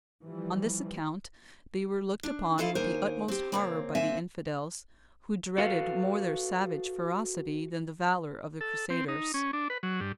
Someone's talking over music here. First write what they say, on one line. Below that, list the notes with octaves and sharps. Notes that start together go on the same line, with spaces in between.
On this account they were looked upon with the utmost horror by the infidels, who dreaded more their savage ferocity than the valour of the Crusaders.
E3 F3 G3
D4
E4 F4 A4 D#5 F5
D#2 A#4 C5 G#5
C4 G4
C#3 A#3 C4
C3 A#3 C4 E5 G#5
F#4 A4 B4 F5
A4
C4
D#4
C#4
D4
B4
F#3
G2